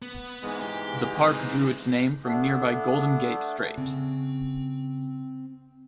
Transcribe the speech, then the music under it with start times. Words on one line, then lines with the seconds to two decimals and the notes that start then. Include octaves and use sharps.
The park drew its name from nearby Golden Gate Strait.
0.02 B3
0.42 G#2 E3 G#3
0.62 G4
1.18 C4 D#4
2.24 A3 B3 D4
3.78 C#3 C4